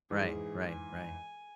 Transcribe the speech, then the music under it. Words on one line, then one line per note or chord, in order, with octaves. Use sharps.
Right, right, right.
G#2 E3 G#4
G#5